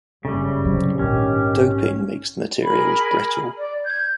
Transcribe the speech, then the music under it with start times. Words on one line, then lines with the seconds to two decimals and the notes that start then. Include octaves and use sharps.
Doping makes the materials brittle.
0.25 F#1 G2 C#3 G3 A3
0.65 A2 C3 F#3
0.99 A#1 G#2 D#3 C#4 G4
2.64 G#4 A#4 B5
3.57 D5
3.84 G6 G#6